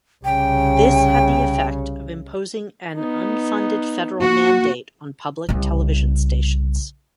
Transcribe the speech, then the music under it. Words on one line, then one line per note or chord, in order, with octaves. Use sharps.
This had the effect of imposing an unfunded federal mandate on public television stations.
C2 C#3 G5
B3 D#4
A#3 F#4
C2 C#3